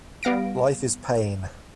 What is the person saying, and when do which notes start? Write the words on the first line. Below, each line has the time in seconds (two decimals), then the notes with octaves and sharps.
Life is pain.
0.23 G3 B3 F5 A#6 D7